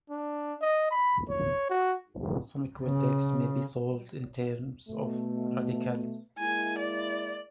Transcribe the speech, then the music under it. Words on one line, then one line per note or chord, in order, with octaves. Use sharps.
Some quintics may be solved in terms of radicals.
D4
D#5
B5
C#5
F#4
C#3
B2 A3
G#3 A#3 E4 G#5
D5